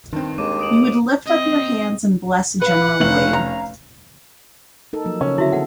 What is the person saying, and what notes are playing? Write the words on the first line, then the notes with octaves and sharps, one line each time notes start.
You would lift up your hands and bless General Wade.
G2 D#3 C4
D#2 G#3 D6 D#7
D#6 D7 F#7
C4 D#5
B4 F5 F#5 B5
F1 C#4 F5 F#7
A#5
D#4 A4 A#4
F3 F#3 A#3
C#3 C#4
D3 E4 F#4 E5
B3 A4 F#5